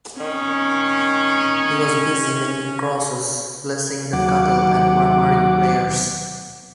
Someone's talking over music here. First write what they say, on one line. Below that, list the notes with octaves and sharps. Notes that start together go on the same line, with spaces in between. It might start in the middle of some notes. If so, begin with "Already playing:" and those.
He was busy making crosses, blessing the cattle, and murmuring prayers.
D#3 C#4
D#2 F#3 F#5 D6